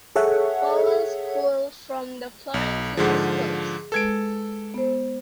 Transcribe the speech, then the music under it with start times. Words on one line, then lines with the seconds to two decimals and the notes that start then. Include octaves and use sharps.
Powell School from the Florence City Schools.
0.16 G#4 A4 C#5 E5 F#5
2.54 B1
2.97 G#2 D3 F3 G#4 F#5
3.92 G#3 A4 B4 G#6 D7
4.74 B3 C5